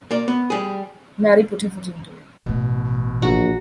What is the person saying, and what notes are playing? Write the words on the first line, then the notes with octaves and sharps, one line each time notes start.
Mary put her foot into it.
A#3 D5
B3
G3 G#4
A1 B2 A3
B2
A#1 F#4 A#5